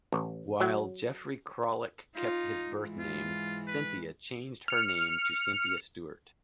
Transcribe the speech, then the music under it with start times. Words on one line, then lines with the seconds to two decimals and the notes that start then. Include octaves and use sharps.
While Jeffrey Krolik kept his birthname, Cynthia changed her name to Cynthia Stuart.
0.12 A1
0.60 F#3
2.16 D#4 F4
2.68 G#2 E3
3.00 F4
3.67 B4
4.68 F6 C#7